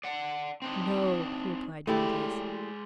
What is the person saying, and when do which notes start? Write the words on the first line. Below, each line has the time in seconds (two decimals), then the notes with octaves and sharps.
"No," replied Dantes.
0.04 D5 F#5
0.62 C4 D4 D#4
1.87 G#3 A3 E4 G4 D5